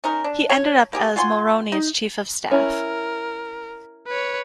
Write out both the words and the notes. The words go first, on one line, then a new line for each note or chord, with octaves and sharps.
He ended up as Mulroney's chief of staff.
C#4 D#4 A#4
D4
C#5
A#3 G4 G#4
F4 F#4 G#5 C6
D#4
C#4 E4 A#4
B4 C#5